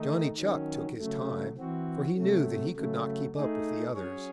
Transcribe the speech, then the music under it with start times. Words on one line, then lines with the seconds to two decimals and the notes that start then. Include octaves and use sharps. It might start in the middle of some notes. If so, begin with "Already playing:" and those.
Johnny Chuck took his time, for he knew that he could not keep up with the others.
Already playing: D#3 A3 D#4
0.38 D#3 F#3 C#4
0.98 C#3 F#3 A3
1.58 E3 C4 F#4
2.17 C3 F#3 A3
2.76 C#3 F#3 A3
3.36 A3 D#4 G#4
3.94 F#3 C#4 G#4 C#5